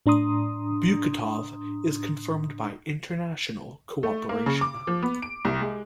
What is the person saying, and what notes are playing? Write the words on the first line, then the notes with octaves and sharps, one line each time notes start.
Buketov is confirmed by international cooperation.
A2 D4 A#5 C6 D#6
A3
A#3
C#3
D6
F3
B3
D7
C2
G#3